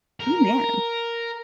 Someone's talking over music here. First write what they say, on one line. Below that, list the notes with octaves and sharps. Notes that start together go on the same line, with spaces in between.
Oh, man.
A#4